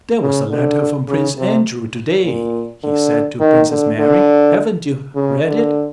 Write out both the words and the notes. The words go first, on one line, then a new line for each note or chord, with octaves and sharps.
"There was a letter from Prince Andrew today," he said to Princess Mary- -"Haven't you read it?"
C#3
D3
C#3
C3
A#2
D3
D#3
D3
D3
C#3
D3